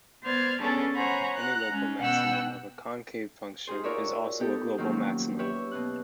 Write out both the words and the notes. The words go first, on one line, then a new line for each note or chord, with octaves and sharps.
Any local maximum of a concave function is also a global maximum.
B3 C5 D5 F6 G#6
B3 C#4 D4 G#4 A4 D5
C5 C#5 F#5 G#5 A#5 B5
F#5 A#5 F#6
G#3 C#4
B2 F#5 G5 E6 F#6
D#4 F4 G4 G#4 C5
F4 F#4 A#4 C#5 D5 E5
B3 D#4 G4 A4
D#3 F3 F#3 A#3 C#4 G4
G4 B4 C#5 E5
B2 B3 F#6